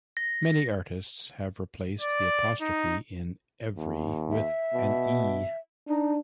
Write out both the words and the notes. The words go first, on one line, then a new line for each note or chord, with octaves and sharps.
Many artists have replaced the apostrophe in "ev'ry" with an "e".
A#6
D5
D#4
D#2
E5
B2
D4 D#4